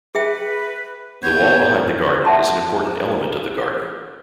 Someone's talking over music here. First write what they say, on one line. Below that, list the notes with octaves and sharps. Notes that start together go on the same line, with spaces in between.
The wall behind the garden is an important element of the garden.
G#4 B4 E5 G5
B3 C#5 G6
E5 F#5 A5 C6